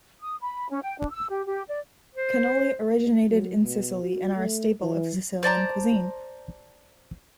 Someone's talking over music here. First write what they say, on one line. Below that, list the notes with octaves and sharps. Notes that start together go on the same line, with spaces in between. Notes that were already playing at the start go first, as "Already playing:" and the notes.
Cannoli originated in Sicily and are a staple of Sicilian cuisine.
D#6
B5
C#4
G5
D4
E6
G4
G4
D5
C5
F#3
B2
F#4
A3
E3
C5 D5 A5 A#5